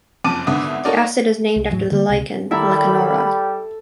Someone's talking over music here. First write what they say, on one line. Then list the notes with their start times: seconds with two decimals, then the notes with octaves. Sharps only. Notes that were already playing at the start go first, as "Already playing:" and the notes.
The acid is named after the lichen "Lecanora".
0.24 F#1 F2 C#4 A5 D6 D#7
0.47 G#1 D3 B3 E5 D#6
0.85 D#4 F#4 A4 A#4 C#5 D5
1.56 C2
1.70 E2 A2 F#3
1.92 D3 G3 A#3
2.09 C#2 C3
2.51 D#3 G3 E4 A4 E5 A#5 B5